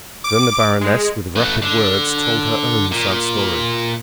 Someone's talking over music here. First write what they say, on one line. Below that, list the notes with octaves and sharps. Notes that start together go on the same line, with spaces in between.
Then the Baroness, with rapid words, told her own sad story.
D6
G#3
A3 B4
D3
A#2